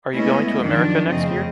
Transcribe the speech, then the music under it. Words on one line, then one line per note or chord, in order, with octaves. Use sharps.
Are you going to America next year?
G#3 A3 B3 C#4 E4 D#5
F2 D#3 F3 F#3 D4
F2 C#3 A3 C4 D#5